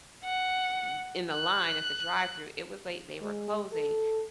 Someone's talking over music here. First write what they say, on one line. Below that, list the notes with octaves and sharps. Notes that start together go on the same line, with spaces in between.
th in the line at the drive-thru, it was late, they were closing,
F#5
F#6
G#3
A4